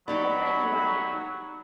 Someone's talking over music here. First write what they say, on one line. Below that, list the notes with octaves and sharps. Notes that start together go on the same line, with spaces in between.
"I'll bet you I am!"
F#3 D#4 G4 D5 B5